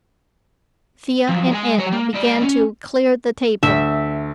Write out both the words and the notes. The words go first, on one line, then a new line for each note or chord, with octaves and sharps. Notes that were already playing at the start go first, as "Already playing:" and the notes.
Thea and Anna began to clear the table.
F3 F#3
G#3 G#5
F#3 C#5
A#3
G#3 D5
C#4
D2 E5